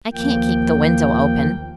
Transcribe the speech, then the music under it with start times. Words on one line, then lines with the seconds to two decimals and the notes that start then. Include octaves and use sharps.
"I can't keep the window open."
0.13 D#2 F3 A#3 G5